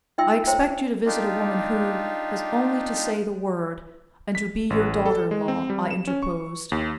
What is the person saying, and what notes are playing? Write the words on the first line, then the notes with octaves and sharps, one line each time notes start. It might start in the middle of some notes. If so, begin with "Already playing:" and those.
"I expect you to visit a woman who has only to say the word and to be your daughter-in-law," I interposed.
D#4 F4 E5 G5 C6 E6
C5 C#5 E5 G5 A#5 C6
D4 D#4 F4 G4
B6
A1
A4
G#3
C4
G3
E7
C#4
C#6
D#2